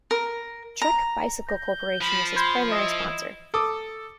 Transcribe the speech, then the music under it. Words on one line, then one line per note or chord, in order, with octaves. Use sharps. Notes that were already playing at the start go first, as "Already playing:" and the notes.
Trek Bicycle Corporation is his primary sponsor.
A#4
A#5
G6 A#6
F3 B5
B5 C6 G6 G#6
E4 D#5 D#6 A#6
A4 D6 D#6